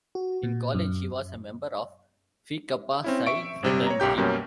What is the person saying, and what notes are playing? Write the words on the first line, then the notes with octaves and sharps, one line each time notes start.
In college, he was a member of Phi Kappa Psi Fraternity.
F#4
A#2
F#2
C4 C#4 E4
E5 C#6 D7
G1 C3 G3
C#5 A#5
B1 F#2 G4 G6
F#2 B2 G3 A#3 C#4